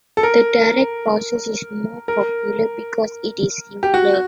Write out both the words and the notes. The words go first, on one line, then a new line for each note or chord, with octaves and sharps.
The direct process is more popular because it is simpler.
A4
A#4
A#4
G4
F#4